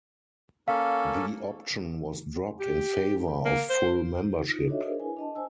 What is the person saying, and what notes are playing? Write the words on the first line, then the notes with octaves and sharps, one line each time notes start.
The option was dropped in favor of full membership.
A#3 C#4 A4 F5
G4
A#3
C5
D#4 F4
D4 F#4 A4 C#5 D#5 E5
D4 G#4 A#4 C5
E4 B4 G#5
D4 D#5 A5
C5 G#5 E6